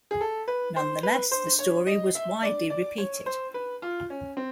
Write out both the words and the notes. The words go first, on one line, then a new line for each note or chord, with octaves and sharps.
Nonetheless, the story was widely repeated.
G#4
A4
B4
C5
B4
C5
C#5
D#5
E5
D5
D5
C#5
C5
B4
F4
C#4
C4